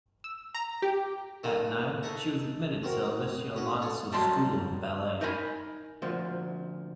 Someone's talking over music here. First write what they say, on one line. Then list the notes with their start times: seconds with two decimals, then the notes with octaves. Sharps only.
At nine, she was admitted to the Alicia Alonso School of Ballet.
0.24 E6
0.55 A#5
0.82 G4
1.43 D#3 A4 D#5
2.03 D#4 G#4 A4 E5 A#5 C#6
2.83 C4 F#4 A#4 C5
3.56 C#4 F#4 B4
3.82 D3 D4 C#5
4.12 D#2 F#3 G3 A5 C6
5.21 D#4 A#4 D#5 G#5 A#5 B5
6.02 D2 A#2 F3